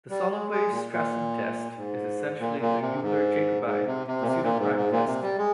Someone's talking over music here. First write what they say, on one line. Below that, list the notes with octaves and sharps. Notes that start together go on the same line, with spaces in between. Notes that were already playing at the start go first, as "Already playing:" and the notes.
The Solovay-Strassen test is essentially a Euler-Jacobi pseudoprime test.
G3
G#3
G#3
A#2
A#2
G#2
A#2
A#2
C3
G#2
G#2
C3
C3
A#2
C3
A#2
G#2
G#2
A#2
C3
G3
G#3